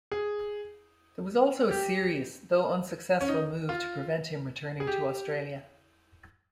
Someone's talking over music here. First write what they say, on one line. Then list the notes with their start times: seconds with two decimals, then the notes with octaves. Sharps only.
There was also a serious, though unsuccessful, move to prevent him returning to Australia.
0.12 G#4
1.71 G4
3.21 C#4
3.28 D#4
3.69 F4
4.80 G#4
4.87 G4